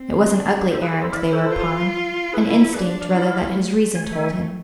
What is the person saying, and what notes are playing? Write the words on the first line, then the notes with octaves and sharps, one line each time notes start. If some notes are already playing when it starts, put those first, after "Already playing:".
It was an ugly errand they were upon, an instinct rather that his reason told him.
Already playing: C4
D4
E4 A4 C5
G#4 B4
G#4 B4
A4 C5
E4 D5 F5
A4 C5
F4
E4 G#4 B4
F4 A4
F4 A4
D4 G#4 B4
D5 F5
E4 D5 F5
A3
A3 G#5
E5 G#5